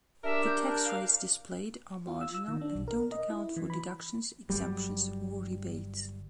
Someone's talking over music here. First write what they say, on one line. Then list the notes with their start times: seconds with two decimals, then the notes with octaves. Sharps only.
The tax rates displayed are marginal and don't account for deductions, exemptions, or rebates.
0.24 D4 G4 A#4 E5
0.46 G6
0.85 F5
2.07 F4
2.21 E6
2.35 E6
2.48 D#3
2.61 D4
2.75 B1
2.88 A#4
3.12 D#5
3.30 E4
3.56 E3
3.70 B5
4.50 G1 F#3 G3